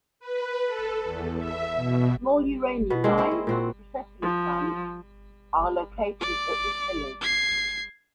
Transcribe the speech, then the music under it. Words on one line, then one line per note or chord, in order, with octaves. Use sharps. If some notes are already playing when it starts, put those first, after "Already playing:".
Small uranium mines and a processing plant are located at this village.
B4
A4
E2
E5
B2
B2 B3
G#3 A#3 C4 D4
C4 C#4 E4
C4
A#2 C4 F#4
F3
D5 D6
G#6 C7